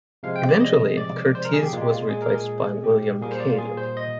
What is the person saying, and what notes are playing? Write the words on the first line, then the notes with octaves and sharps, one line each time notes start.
Eventually Curtiz was replaced by William Keighley.
C3 F3 G#3 F5
G5
D5
D#5
D5
C5
A#4
G#4
G4
A#2 G#3 F4
G4
F4
G#4
A#4
G#4
G4
A#2 G3 A#3 G#4
C5
D5
F4
G#4
C5
D#5